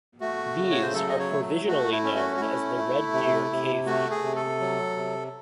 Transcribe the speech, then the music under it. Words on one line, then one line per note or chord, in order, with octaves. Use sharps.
These are provisionally known as the Red Deer Cave people.
A3 F#4
C#3
C#5
C5
F#3 A4
D#5
C#5
A3
A3 F#4
E4
C#4
F#4
F#4
A3 E4
A3
C3
C3
A3 F#4
G#4
C3
A4
F#3
C3